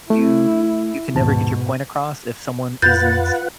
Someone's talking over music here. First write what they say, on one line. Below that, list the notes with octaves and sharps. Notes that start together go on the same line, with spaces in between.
you you can never get your point across if someone isn't
A3 E4
D#2 G#2 B2 A5
F2 F4 B4 F#5 G6 A6